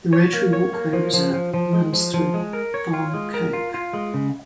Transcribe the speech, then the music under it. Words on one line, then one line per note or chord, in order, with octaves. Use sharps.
The Rotary Walkway Reserve runs through Farm Cove.
C#5
A#3
C#5
A#3
F3
F3
F3
F3
G#3
F3
F3
G#3
A#4
C#5
F4
G#3
A#4
F4
F4
G#3
C#3